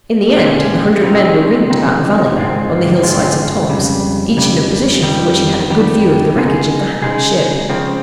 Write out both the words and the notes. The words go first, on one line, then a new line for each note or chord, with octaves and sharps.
In the end, the hundred men were ringed about the valley, on the hillsides and tops, each in a position from which he had a good view of the wreckage of the Han ship.
A#2 G#3 C#4 G4
C#3 F3 C4 D#4
C#3 F3 C4 D#4
G#2 D#3 G#3 C4 F4
G#2 D#3 G#3 F4
F2 C#3 G3
F2 C#3 G3
F2 D#3 G3 G4
F2 D#3 G3 G4
C#3 G#3 D#4 G#4
C#3 G#3 D#4 G#4
C#3 F3 C4